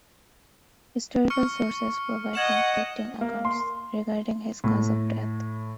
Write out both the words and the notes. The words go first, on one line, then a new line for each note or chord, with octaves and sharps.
Historical sources provide conflicting accounts regarding his cause of death.
C#6 F6 C#7
D#5 F#5 G#6 E7 F#7
A#3
C6
A2